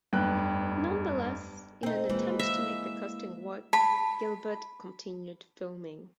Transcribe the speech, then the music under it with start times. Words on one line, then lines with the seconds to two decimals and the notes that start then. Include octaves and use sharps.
Nonetheless, in an attempt to make the casting work, Gilbert continued filming.
0.13 F1 G2 B3 G5 F#6
1.83 C4 D#4
2.09 E3 G#3 A#3 F4
2.39 E5
3.73 A5 B5